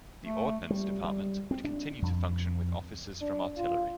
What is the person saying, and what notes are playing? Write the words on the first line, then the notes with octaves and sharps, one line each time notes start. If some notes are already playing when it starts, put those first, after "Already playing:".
The Ordnance Department would continue to function with officers from artillery.
A3
G3
G3
C4
D4
F2
D4
F4